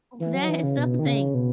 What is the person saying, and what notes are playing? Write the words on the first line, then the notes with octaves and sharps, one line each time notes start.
that is something.
E3
F#3
E3
C#3
B2
D#3
C#3
B2